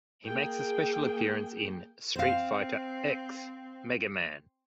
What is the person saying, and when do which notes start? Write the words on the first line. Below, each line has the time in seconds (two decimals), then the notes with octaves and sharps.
He makes a special appearance in "Street Fighter X Mega Man".
0.25 A#3 G#4 G5
2.16 C4 C5 F5